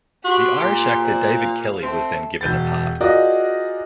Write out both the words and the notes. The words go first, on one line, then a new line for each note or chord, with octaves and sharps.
The Irish actor David Kelly was then given the part.
F#4 G4 C6
A#2
C5 D5
F5
A3 C4
E1 G6 A6
F4 F#4 G#4 A#4 D5 D#5